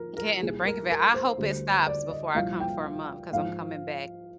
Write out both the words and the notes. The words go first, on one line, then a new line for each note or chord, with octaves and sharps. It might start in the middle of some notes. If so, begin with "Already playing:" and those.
Getting the brink of it, I hope it stops before I come for a month, 'cause I'm coming back
Already playing: F3 A#4
A#4
C2 A#2 G3 G#4
A#4
A#4
C5
D2 D3 G3 C5
D5
D#5
C2 A#2 F3 F5
G5
G#2 F3 F5